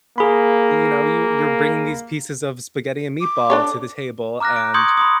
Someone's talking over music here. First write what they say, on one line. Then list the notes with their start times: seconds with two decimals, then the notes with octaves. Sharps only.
you know, you you're bringing these pieces of spaghetti and meatball to the table, and
0.18 A#3 G#4 B5
3.21 D6
3.50 D4 A4 C#5
4.40 A#5 D6 F6 F#6 A#6
4.56 D7
4.74 C6 C#6 D#6 G6 G#6 C#7
4.97 B5 C6 D#6